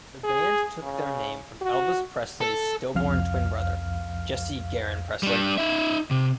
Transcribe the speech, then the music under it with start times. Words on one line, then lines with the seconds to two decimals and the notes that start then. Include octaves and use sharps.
The band took their name from Elvis Presley's stillborn twin brother, Jesse Garon Presley.
0.23 G#4
0.83 C#3
1.61 F#4
2.41 A4
2.95 C2 F2 F5 F6
5.23 G3 D4
5.58 D#4 E5
6.11 C3